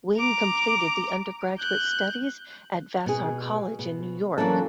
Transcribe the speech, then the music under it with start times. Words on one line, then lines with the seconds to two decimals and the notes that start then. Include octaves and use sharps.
Wing completed his undergraduate studies at Vassar College in New York.
0.17 A#5 D6
1.59 F#6 G6
3.06 B2 G#4
3.79 B2
4.38 E3 F#3 A#3 C#4 D4 A4